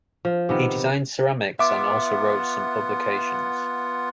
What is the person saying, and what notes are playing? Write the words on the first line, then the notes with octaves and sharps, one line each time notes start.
He designed ceramics and also wrote some publications.
F3
C3 D#3 B3
B3 F4 E5 F#5 D6